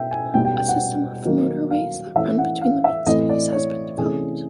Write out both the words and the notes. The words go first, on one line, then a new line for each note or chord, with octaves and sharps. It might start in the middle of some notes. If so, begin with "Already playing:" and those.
A system of motorways that run between the main cities has been developed.
Already playing: B2 E5 G5
G#5
B2 G3 B3 D#4 G5
G5
G5
F#5
D#3 F#3 A#3
F5
E3 A3 C#4 E5
F#5
F5
E5
A2 E3 A3 C4 D#5
D5
C#5
C3 E3 A3 C#4 G#4